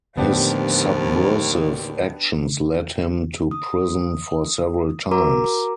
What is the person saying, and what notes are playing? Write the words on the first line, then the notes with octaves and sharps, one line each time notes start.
His "subversive" actions lead him to prison for several times.
D#2 A2 D3 F3 B3 D4 G4
D#6
F#4 A#4 A#5 D6